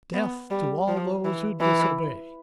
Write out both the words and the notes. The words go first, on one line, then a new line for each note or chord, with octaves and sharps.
Death to all those who disobey.'
B3
G3
F3
E3
E3